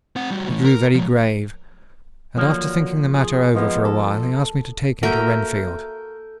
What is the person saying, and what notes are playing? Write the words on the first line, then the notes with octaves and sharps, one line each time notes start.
He grew very grave; and, after thinking the matter over for a while asked me to take him to Renfield.
C4 F#5
G3 F#4
A2 E3
A#4
F3 G#3
D3 F3 F#3 A#3
G#4
F3 G#3 A#3 B3 D#4
A4
A#3 F#4 A4 A#4 E5 G6